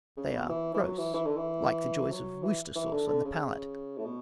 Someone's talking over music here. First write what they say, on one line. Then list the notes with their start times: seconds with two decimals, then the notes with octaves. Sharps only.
They are gross, like the joy of Worcester sauce on the palate.
0.17 C#3
0.33 B2
0.49 E3
0.74 E3
0.81 F#3
0.98 E3
1.14 E3
1.26 D3
1.37 E3
2.11 F#3
2.43 E3
2.75 E3
2.92 D3
3.08 D3
3.25 C#3
3.98 A2
4.05 B2